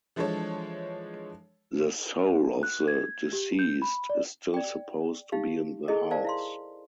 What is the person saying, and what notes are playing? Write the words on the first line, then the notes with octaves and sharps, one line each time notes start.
The soul of the deceased is still supposed to be in the house.
E3 F3 G#3 D4 A4 C#5
F#6
G#6
G4
G6
B5
D5
D5 G5
D#4 G4 F5
E4 G#4 A4 D#5
A#4 C5 D5 F5 A5
E4 F5 C6